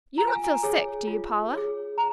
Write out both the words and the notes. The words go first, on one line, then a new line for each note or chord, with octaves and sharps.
"You don't feel sick; do you, Paula?"
F4 A#5
G#5
F5
G#5
G#4 C#5
F4
G#4 C#5
A#5